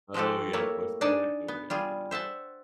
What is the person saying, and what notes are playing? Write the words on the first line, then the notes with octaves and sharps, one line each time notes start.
Oh, yep, "What's that land over there?" Yeah.
F3 G#3 F#4 G4 A4
A3 A#3 E4 C#5
D4 D#4 G#4 D5 D#5 A5
B3
G3 F4 G#4
C5 E5 F#5 A5